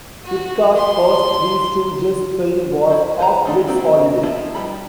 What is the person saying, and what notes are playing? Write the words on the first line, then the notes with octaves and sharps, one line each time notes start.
Sitka's first Three Stooges' film was "Half-Wits Holiday".
F#4
C6
E4 C5
B4 C5 G5 A#5
G#3 A3 D4 D#4
E3 A#3 C4 F#4
B3 D4 E4 F4 D#5
G3 D4 G4 B5